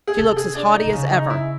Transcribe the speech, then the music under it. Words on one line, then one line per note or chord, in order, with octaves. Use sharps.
She looks as haughty as ever.
G#4
C3 A4
G#4
D4
D#4
C3
C#3
D#4
E4